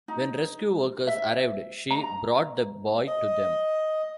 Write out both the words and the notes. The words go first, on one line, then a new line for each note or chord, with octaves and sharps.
When rescue workers arrived she brought the boy to them.
D#4
E5
A#5
D#5